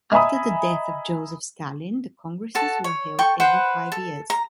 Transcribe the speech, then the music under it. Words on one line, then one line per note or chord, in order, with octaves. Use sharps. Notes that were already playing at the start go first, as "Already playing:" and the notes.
After the death of Joseph Stalin, the congresses were held every five years.
D#5 E5 G#5 A#5 B5 D#6
F#4 A4 A5
C#5
A4 G5 C#6
B4 C5 F#5 B5
A4
A#5